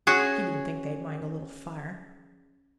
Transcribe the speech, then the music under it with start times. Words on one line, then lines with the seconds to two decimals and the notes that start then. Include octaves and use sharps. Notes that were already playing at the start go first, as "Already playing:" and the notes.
He didn't think they'd mind a little fire.
0.07 C#4 F#4 G#4